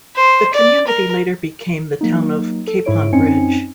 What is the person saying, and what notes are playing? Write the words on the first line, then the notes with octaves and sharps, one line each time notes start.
The community later became the town of Capon Bridge.
C5
D5
A#4
F#3 A#3 D#4
A4
G#2 E4 C#5 D7
F#2 C4 C#4 D#4 G#5 C#7